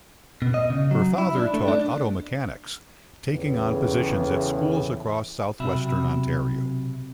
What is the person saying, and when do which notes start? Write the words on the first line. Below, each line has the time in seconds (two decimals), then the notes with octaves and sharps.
Her father taught auto mechanics, taking on positions at schools across southwestern Ontario.
0.42 B2
0.54 D#5
0.70 C#3
0.91 F#3
1.18 E4
1.36 D4
1.54 A3
1.68 D4
3.28 E2 A2 C#3
5.60 B1 C3 F#4 E5 B5